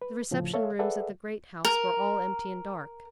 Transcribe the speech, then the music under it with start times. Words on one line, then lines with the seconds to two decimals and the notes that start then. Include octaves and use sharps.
The reception-rooms at the great house were all empty and dark.
0.02 B4
0.31 D2 A2 C#3 F3
0.54 A4 C#5 E5 F5
0.79 G#4 A4 B4 D5 E5 F#5
1.65 A#4